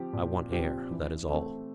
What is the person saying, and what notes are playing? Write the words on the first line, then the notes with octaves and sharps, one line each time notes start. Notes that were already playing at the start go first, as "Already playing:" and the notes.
"I want air, that is all."
Already playing: F3 C4 G4
A#2
F3 C4 G4
E3
A3 C4